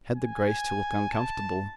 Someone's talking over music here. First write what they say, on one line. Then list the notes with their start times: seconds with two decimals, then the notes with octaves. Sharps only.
He had the grace to look uncomfortable.
0.15 G#5
1.10 A5